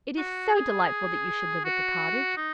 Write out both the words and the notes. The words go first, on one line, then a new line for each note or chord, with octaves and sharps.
It is so delightful that you should live at the cottage!
F#4
G#4
F#4
D#4